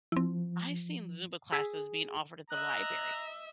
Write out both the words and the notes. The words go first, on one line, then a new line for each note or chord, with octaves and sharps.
I've seen Zumba classes being offered at the library.
F3 C4 E4
G#4 E6 G#6 B6
D#5 E5 A#5 F#6